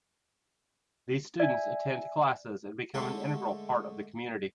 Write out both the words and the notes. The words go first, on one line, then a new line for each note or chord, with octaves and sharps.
These students attend classes and become an integral part of the community.
D5 E5 G#5
D3 G#3 A3 A4